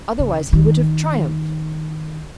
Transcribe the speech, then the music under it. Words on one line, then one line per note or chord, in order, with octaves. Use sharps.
Otherwise he would have triumphed.
C#3
D#3